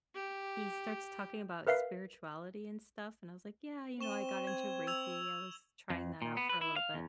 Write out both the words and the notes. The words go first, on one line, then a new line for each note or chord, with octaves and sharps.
he starts talking about spirituality and stuff, and I was like, "Yeah, you know, I got into Reiki. I was trying that out for a little bit."
G4
A#4 B4 E5 F5 C7
C4 C#6 E7 G7
G#6
E6 G#6 F7
F2
A#2
B3
B4
E4
F5
E2